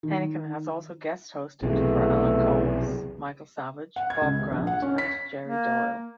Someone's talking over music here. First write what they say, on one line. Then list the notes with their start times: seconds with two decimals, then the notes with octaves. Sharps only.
Henican has also guest-hosted for Alan Colmes, Michael Savage, Bob Grant and Jerry Doyle.
0.03 D#3
1.62 B1 E2 C3 A3
3.96 F#5
4.10 G#6
4.22 C#2
4.39 C3
4.52 A#1
4.67 F#5
4.82 C#4
4.98 B6
5.47 A#3